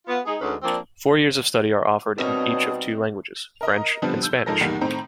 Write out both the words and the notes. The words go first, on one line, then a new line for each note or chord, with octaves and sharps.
Four years of study are offered in each of two languages: French and Spanish.
B3 F4
G#3 D#4 G#4
D2 G#3 C#4 D#4 B4
F3 A#3 C4 D4
B2 G3 C4 D4 D#4 A#4 C#5 D#6
A#4 D#5 A#5
D3 F3 G3 B3 C4
E6 G6
G#2 F3 A4 A#4 A#6
E2 B2 D#3 G3 A#3 D#4
A2 D#3 C4 A#5